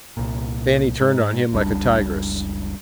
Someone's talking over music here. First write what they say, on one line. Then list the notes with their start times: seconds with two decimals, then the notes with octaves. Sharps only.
Fannie turned on him like a tigress.
0.17 C2 A#2
1.00 G#2
1.52 F#1 C#2 G3 D4